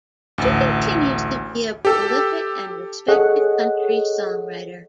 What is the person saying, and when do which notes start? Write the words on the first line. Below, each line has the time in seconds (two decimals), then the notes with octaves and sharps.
She continues to be a prolific and respected country songwriter.
0.38 A1 D2
1.85 G4 A4
3.08 G#4 A4 C#5 D#5 F#5